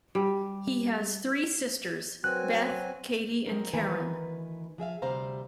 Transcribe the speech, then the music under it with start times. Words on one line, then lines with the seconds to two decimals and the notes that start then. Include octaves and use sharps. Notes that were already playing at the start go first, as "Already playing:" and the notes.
He has three sisters, Beth, Katie and Karen.
0.15 G3
2.24 F#3 C4 F#4 A#4 B4 G#5 C6 F#6
3.46 F#3 C4 A#4
3.73 D2 D#3 E3 B4 G#5 A#5
4.78 F3 G#4 E5 F5
5.02 D2 C3 G3 C5 F5 A#5